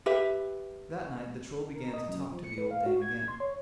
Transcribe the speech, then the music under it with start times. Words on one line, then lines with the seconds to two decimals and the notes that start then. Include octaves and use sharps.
That night the Troll began to talk to the old dame again.
0.06 G4 B4 E5
1.75 A#4
1.94 D#5
2.08 F#2
2.31 F3
2.44 C#7
2.58 B4
2.71 F5
2.86 F#4
3.02 G#6
3.15 G#6
3.28 C6
3.40 C#5